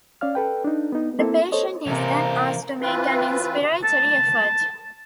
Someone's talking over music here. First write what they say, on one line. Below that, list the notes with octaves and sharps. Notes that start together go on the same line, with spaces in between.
The patient is then asked to make an inspiratory effort.
C#4 D5 F5 F6
A4 B4 G5
D4 D#4
B3 D#4
A#3 C4 E4 A4
A4 C5 C#5 D#5
C3 E3 A#3 A4 A#4 C5 G#5
E3 C4 F4 B4
A5